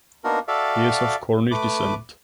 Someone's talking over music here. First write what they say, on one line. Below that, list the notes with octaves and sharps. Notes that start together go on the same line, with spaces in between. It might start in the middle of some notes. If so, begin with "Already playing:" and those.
He is of Cornish descent.
A#3 B3 D4 D#4 F#4 A#4
F#4 A4 D5 E5 F5
A3 B4 D6